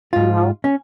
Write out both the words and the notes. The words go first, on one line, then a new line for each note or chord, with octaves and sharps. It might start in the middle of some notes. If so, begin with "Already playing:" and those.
you know?
G#2 F4
C#4